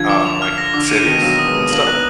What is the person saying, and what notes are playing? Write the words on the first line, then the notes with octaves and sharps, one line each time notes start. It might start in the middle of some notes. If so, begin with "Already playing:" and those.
um, like, cities and stuff
Already playing: D3 F3 G#6
D6
F7
F6
A#6
D3 D6
D3 D#7
B2 D#3 D#7
F#3 A#3 A#6
D#6
G#3 B3
D#6
A#3 D4 F#7
B3 D#4 F#6